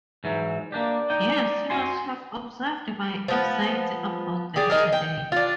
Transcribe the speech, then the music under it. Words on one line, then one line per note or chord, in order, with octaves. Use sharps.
Yes; you must have observed my anxiety about them today.
G#2 E3 F#3
A#3 D4 G4 D5
D#4 G5
F#4 G#5 C6
F3 B3
G4 G#4 D5
D#4 G#4 A#4
G5
D4 F4